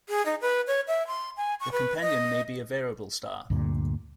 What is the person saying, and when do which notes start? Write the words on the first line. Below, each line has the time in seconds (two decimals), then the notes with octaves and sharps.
The companion may be a variable star.
0.09 G#4
0.26 D#4
0.41 B4
0.67 C#5
0.88 E5
1.07 C6
1.37 G#5
1.60 C#6
1.72 B4
2.02 D#5
3.50 D2 G2 A#2 D3